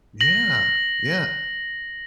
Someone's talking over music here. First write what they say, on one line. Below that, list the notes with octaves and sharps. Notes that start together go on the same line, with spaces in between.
Yeah, yeah.
A#6 F#7